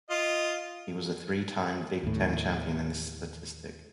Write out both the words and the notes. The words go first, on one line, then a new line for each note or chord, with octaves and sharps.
He was a three-time Big Ten champion in this statistic.
F4 D#5
D#2 A2